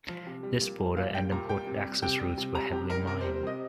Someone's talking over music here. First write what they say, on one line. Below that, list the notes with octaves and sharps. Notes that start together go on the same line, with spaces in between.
This border and important access routes were heavily mined.
F3
C3
G3
A#2
G3
A#2 F5
G3 G5
A#2 A#5
G3 G5
C3
G3
C3 G5
G3
C3
G3 A#5
C3 G4
G3 A#4
C3 A#4
C5
G3
C5
C3 D#5